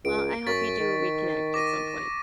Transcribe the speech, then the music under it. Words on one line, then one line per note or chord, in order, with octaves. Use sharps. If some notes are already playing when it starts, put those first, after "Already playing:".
Well, I hope you do reconnect at some point,
C#2 D7
F#2 C#6 A6 B6
D#3
D6 A#6 D#7